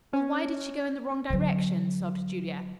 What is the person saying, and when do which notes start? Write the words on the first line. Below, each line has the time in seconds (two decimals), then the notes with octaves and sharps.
"Well, why did she go in the wrong direction?" sobbed Julia.
0.13 C#4
1.30 D3 F#3